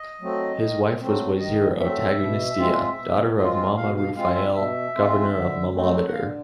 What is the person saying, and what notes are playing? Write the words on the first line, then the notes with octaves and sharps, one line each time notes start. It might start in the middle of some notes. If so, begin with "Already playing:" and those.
His wife was Woizero Tagunestiya, daughter of Mama Rufa'el, Governor of Mamameder.
Already playing: D#5
F#3 A3 C4
D#3
F#3 A3 C4
D#3 D#5
F#3 A3 C4 E5
B2
G#3 C4 F4
B2
G#3 C4 F4
B2 F5
F5
G#3 C4 F4 F5
E5
B2 E5
G#3 C4 F4
D3
F#3 A3 C4
F#5
D3 F5